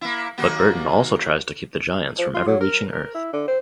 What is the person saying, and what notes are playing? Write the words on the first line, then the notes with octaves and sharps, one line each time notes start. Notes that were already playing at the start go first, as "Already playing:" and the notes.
But Burton also tries to keep the Giants from ever reaching Earth.
A#3 E4
D#2 A#3 F#4
F3
F4
F#3
A#4
A#4
E4
D3
C5